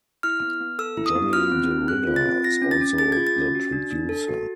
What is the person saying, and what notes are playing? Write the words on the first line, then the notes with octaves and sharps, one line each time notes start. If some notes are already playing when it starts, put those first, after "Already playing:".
Johnny De Ridder is also the producer.
E4 F6
B3
B3
A4 E6
E4
D#6
B3
F4 F6
C4
C4
G#4 F#6
F4
A6
C4
F4 A#6
C#4
A6
C#4
G#4 A6
F4 G#6
A6
C#4
F#4
D4
D4
A4
F#4